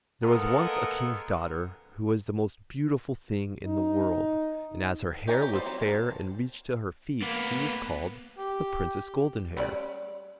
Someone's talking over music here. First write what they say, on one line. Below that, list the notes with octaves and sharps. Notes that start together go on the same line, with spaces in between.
There was once a King's daughter who was the most beautiful thing in the world, and as her hair was fair and reached to her feet she was called the Princess Goldenhair.
G#3 A#3 B3 A4 A#4
D#4
G4 C#5 G#5 A#5
G4
B3 C5 D5
F#3 C4
A#3 A5
A#3 B3
G4
G3 C#4 D5